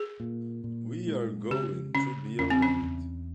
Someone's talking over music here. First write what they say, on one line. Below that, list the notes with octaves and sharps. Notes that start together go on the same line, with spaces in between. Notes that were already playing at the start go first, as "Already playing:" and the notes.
We are going to be alright.
Already playing: G#4
A#2
A#2
G#3
C#3 G4
C#3 C#4
E2 C#4
C4
C#4
E2